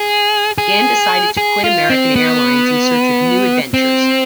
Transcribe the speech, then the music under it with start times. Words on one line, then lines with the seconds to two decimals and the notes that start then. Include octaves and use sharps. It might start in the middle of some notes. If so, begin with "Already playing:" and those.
Gann decided to quit American Airlines in search of new adventures.
Already playing: G#4
0.58 G#4
1.37 G#4
1.64 F4
1.90 C4
2.16 B3
3.74 C4